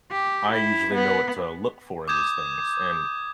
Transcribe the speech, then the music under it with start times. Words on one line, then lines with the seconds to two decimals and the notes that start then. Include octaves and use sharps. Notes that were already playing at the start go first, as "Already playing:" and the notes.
I usually know what to look for in these things. And
0.11 G4
0.52 E4
0.94 B3
2.08 D6 D#6 G6 G#6 E7